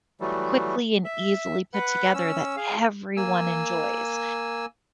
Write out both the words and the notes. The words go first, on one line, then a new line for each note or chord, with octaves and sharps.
quickly and easily put together that everyone enjoys.
E3 F#3 G3 A3
E5
B4 F#5
C#4 E6
G#4 F5
A#3 G#5 E6